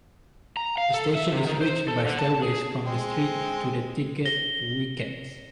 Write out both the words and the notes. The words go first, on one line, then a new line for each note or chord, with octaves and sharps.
The station is reached by stairways from the street to the ticket wickets.
A#5
F5
A4
E5
C3
D#3
C5
A4
D3
A5
G#4
G#3 C4
A#6 G7